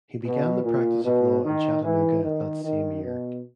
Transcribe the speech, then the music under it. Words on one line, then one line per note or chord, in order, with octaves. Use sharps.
He began the practice of law in Chattanooga that same year.
B2
A#2
B2
D#3
E3
D#3
D#3
B2